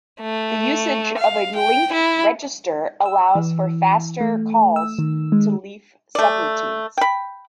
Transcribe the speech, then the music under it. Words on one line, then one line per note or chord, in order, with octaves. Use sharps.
The usage of a link register allows for faster calls to leaf subroutines.
A3
F5
G5
E4
E6
E3
A3
E6
D#3
G#3
A3 D5
G5 B5